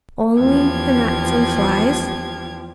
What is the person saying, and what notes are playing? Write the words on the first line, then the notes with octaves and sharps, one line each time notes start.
Only the gnats and flies?
E2 F3 G4 G#6